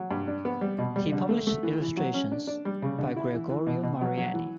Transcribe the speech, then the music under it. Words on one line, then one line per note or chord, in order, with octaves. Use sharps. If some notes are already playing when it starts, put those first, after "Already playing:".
He published illustrations by Gregorio Mariani.
Already playing: F#3
G2
D4
B3
G3
B2
G3
D3
A3
A3
E3
E3
F#3
C#4
D4
D4
G3
C#3
D3
E4
E3
E3
B2
B2
F#3
F#3
E3